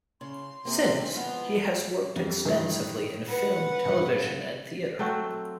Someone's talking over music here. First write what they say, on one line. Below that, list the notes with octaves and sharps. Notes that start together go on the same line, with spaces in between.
Since, he has worked extensively in film, television and theatre.
C#3 C6
C3 A#3 C4 G#4
F3 G#3 B3 F4
F2 G3
G2 D#3 E3
B4 F#5
B1 G2 D4
F#3 A3 C4 F#4